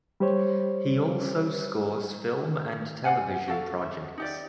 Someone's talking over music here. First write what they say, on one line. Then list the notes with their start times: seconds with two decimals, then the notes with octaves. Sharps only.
He also scores film and television projects.
0.20 G3 G4 C5 C#5
3.04 D5 F5 F#5 G#5
3.48 F#4 A4 F5
3.82 E5
4.18 D#4 G4 D5